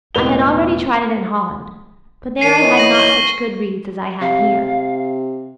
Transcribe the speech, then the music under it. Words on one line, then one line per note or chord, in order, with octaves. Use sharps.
I had already tried it in Holland; but there I had not such good reeds as I have here.
E1 A1 B4 F7 G7
D#3 C7 D#7
E3 D#4 C#5 D#7
A#6 F#7
C#6 G7
C3 F5